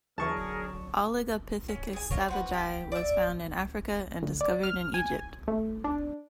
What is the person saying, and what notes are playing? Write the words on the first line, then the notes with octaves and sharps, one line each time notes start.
"Oligopithecus savagei" was found in Africa and discovered in Egypt.
D#2 D3 E3 F#3 G#4 A#4 A5 C#6
C#4
G#4 G#5
F4 A#4 C#5
F3 F#4 B4
G4
D5 E5
D2
D5
F6
G#5
A3
D4